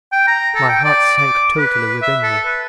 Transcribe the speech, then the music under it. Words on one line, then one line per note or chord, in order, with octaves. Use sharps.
My heart sank totally within me.
G5
A#5
A4
G5
D5
D6
B4
E5
A4
B4